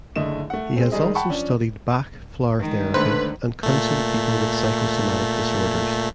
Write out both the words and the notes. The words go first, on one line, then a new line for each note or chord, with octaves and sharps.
He has also studied Bach Flower therapy and counseled people with psychosomatic disorders.
F#1 D3 A3 D#5 E7
A3 F#5
G#3 C4
D#3 G3 G#3 G#4 D#5
F#5 G5 A5 B5 C#6
F3 C#4 D4
D#3 G#3
D3 A3 B4 C5
A#2 A3